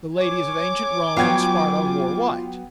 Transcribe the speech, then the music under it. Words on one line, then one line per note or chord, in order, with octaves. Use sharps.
The ladies of ancient Rome and Sparta wore white.
C#5 G#5 D6
F#3 B3 F4 C#5 F5 G5 G#6